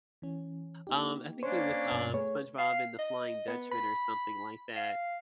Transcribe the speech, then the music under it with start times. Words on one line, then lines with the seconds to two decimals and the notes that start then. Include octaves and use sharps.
Um, I think it was, um, SpongeBob and the Flying Dutchman or something like that,
0.22 E3 C#4
0.87 A#3 D#4 G4
1.43 A#3 C#4 D4 C5 C#5 C#6
1.92 G2 B2
2.14 A3 G#4 B4 C#5
2.58 F5
2.99 D#5
3.48 B3
3.72 B5
4.76 F5